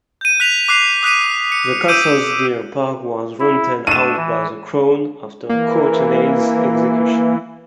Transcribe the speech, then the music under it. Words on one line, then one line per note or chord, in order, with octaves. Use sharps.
The castle's deer park was rented out by the Crown after Courtenay's execution.
G6 D#7
F#6 B6 F7
D6 F#6 C7 F7
D#6 F#6 B6 D#7
C#7
D6 E6 G6 D7 D#7
E4
A3 D4 D#7 E7
E3
E3 A#3